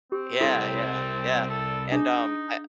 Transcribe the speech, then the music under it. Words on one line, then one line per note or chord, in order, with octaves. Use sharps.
Yeah, yeah, yeah, and, um, I
C4 G4
C2 G3 E4 A4 C6
A4
D4 D#4 G#4